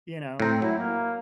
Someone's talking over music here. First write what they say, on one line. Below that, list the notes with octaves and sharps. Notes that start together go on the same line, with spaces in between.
you know.
A2 C4 A#5
F#3 E4
A#3